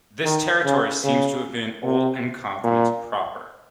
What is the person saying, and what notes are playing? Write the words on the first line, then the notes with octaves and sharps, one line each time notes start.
This territory seems to have been Ol nEchmacht proper.
D#3
C#3
C#3
C3
A#2